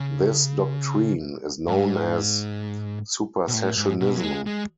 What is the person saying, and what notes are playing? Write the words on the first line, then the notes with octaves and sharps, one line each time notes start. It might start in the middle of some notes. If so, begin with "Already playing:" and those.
This doctrine is known as Supersessionism.
Already playing: C#3
G#2
B2
A2
G#2
B2
F#3
G#3
G#3